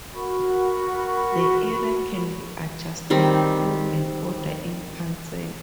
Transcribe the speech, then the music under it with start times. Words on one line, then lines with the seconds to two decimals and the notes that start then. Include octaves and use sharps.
The area can be adjusted through an Order in Council.
0.14 F#4 A#4 B5 C#6
3.10 D#3 G3 C4